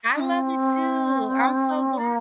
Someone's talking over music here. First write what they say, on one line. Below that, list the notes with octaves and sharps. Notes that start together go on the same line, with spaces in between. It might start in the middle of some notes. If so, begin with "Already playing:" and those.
I love it too, I'm so glad.
D4
C4
A#3